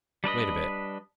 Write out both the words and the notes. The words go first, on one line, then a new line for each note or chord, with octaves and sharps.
Wait a bit....
G3 D4 B4 D#5